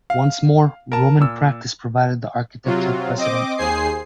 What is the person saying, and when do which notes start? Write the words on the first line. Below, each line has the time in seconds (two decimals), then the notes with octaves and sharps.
Once more, Roman practice provided the architectural precedent.
0.10 F5
0.92 A#4 A5
1.20 A#2 E6
2.64 C3 F#3 F4
3.16 C4 D#5 D6
3.58 D#2 G#4 C5 G#5 C7